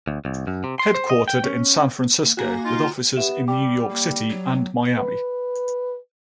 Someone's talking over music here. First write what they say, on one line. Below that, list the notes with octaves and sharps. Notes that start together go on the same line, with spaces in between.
Headquartered in San Francisco, with offices in New York City and Miami.
D2
C2
F#2
C3
C6
C5
D#5
G5
C#4
A#3
A#3 F#4 G#5 A#5
D#4 F4
B3 G4 E5 E7
G3 G4 G5 D6
A#3
F#3
B4